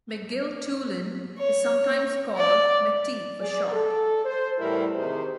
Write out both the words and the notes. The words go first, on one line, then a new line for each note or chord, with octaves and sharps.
McGill-Toolen is sometimes called "McT", for short.
C#5
D5
G#4 D5
A4
C5
E2 A2 E3 G3 E4 A#4
C3 D#3 G4 G#4 C5